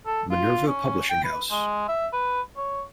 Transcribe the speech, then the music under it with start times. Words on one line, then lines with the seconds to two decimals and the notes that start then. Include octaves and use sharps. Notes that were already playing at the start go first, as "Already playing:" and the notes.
Minerva Publishing House.
0.06 A4
0.31 F4
0.67 C#4
1.10 G5
1.24 B4
1.51 G#3
1.88 E5
2.13 B4
2.57 C#5